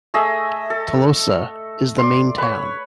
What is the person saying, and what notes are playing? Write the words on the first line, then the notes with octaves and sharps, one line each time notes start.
Tolosa is the main town.
A3 G#4 D#5 E5
A4
D5 C6
B4 C#5